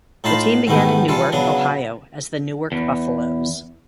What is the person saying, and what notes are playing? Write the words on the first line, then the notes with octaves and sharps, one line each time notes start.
The team began in Newark, Ohio as the Newark Buffalos.
A2 D#4 F4 A5 B5 C6
G#2 D#3 E3 A3 B3 G4
E3 G3 F4 A4
C#3 F#3 B3 D4
E2